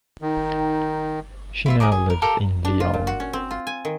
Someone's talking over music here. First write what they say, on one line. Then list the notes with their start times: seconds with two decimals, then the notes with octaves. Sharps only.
She now lives in Lyon.
0.22 D#3 D#4
1.66 E4 F4 E5
1.80 G#4 D#5 A#5 D6
1.92 G#4
2.10 A#4
2.22 G4 A4 A#4 F5
2.65 D4
2.80 F4
2.94 A#2
3.07 F#4
3.20 C#4
3.33 C4
3.51 F4
3.67 G#5
3.85 D#3